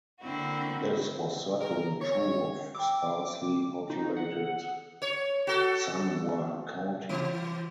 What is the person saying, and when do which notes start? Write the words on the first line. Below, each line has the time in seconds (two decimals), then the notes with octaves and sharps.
This was certainly true of sparsely populated San Bois County.
0.20 D3 A#3 C4 E4 F#4
1.60 A#4
2.01 C#5
2.75 G5 B5 D6 E6
3.90 D#4 F#4
4.17 F#5
5.02 C#5
5.47 F#4 A4
7.09 E3